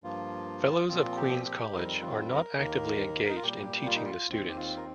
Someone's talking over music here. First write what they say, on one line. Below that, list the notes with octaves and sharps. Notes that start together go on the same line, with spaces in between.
Fellows of Queen's College are not actively engaged in teaching the students.
G2 F3 A#3 F4
A#2 F3 C4 F4
G4
G4
F2 D#3 G3 C4 A#4
F4
A#4
D#2 D#3 A#3 A#4
D#4
F4
A#2 G3 A#3 G4
F4
D#4
F4
D#2 D#3 C4
G4
F4
A#4